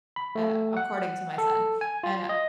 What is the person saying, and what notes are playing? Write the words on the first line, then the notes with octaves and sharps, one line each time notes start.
uh- according to my son- and I
B5
A3
F#5
A4
G#5
F4
D#5